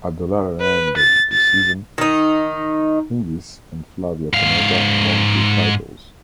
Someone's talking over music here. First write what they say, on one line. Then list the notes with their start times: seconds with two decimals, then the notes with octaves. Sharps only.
At the latter end of the season, Hingis and Flavia Pennetta won two titles.
0.61 B4
0.97 A6
1.33 A6
1.98 D#3 D#4
4.33 G#2 F5